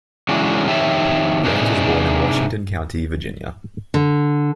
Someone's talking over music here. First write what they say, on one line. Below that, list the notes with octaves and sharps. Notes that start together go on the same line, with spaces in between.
Jones was born in Washington County, Virginia.
E3 F#3 G#3 C#4 D4
F2 D#3 G4 C#5 E5 A5
C3 D4 D#4 G#4 B4
D3